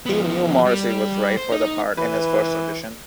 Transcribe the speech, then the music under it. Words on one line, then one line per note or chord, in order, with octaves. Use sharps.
He knew Morrissey was right for the part in his first audition.
F3 B3
G3
C5
D#4
E3 B4